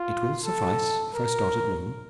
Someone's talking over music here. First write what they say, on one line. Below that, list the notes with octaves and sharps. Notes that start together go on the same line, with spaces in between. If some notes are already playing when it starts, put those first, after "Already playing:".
"It will suffice if I start at noon."
Already playing: F4
A4
A#4